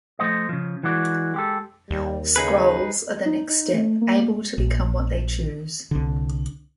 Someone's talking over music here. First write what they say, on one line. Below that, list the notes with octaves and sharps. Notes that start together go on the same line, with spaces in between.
Skrulls are the next step, able to become what they choose.
F3 A3 C5 D#5
C#3 F3
E3 G#3 F#4 D5
G#3 G4 A4
D#2 G3
C#3 D#4 G#4 B4
D#4
D#4
A3
A#3
A#1
C2 D3